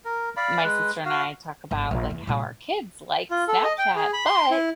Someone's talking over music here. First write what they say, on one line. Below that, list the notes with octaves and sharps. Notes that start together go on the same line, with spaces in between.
my sister and I talk about, like, how our kids like Snapchat, but
A#4
D5 F5 B5
G#3 B4
F#4 F5
G1
A#1
E2
A#2 G3
F4
A4
D#5
G5
G#4
B5
C6
E4